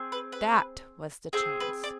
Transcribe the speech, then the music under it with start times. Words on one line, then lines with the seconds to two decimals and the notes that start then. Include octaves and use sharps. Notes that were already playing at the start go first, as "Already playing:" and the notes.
THAT was the chance!
Already playing: C4 G#4
0.12 B4
0.32 B4
1.33 C4 G#4 A4
1.60 B4
1.84 D5